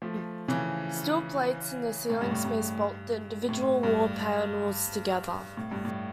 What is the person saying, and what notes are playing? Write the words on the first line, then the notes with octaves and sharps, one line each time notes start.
Steel plates in the ceiling space bolt the individual wall panels together.
F3 A3
C#3 E3
A2
G2
A2
G2
A2
G2
A2
G2
A2